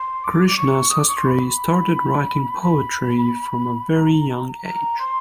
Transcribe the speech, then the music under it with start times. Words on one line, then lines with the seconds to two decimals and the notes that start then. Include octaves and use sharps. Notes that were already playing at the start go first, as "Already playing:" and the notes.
Krishnasastri started writing poetry from a very young age.
Already playing: C6
0.24 D6
0.48 D6
0.57 C#6
0.90 D#6
0.99 D6
1.08 C#6
1.17 C6
1.26 B5
2.62 B5
3.97 A#5
4.65 A#5
4.99 C6